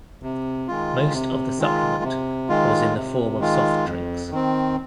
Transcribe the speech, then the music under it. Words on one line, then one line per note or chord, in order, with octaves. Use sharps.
Most of the supplement was in the form of soft drinks.
C3
D#3 G#3 F4
C3
D#3 G#3 F4
C3
D#3 G#3 F4
C3
D#3 G#3 F4
F2
D#3 C4